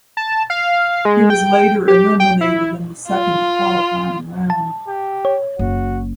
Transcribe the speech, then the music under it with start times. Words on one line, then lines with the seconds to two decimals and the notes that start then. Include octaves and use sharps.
He was later eliminated in the second qualifying round.
0.17 A5
0.50 F5
1.05 G#3
1.30 G5
1.88 G4
2.20 G5
2.41 E4
3.08 F4
4.50 A5
4.88 G4
5.25 C#5
5.59 F#1 F#4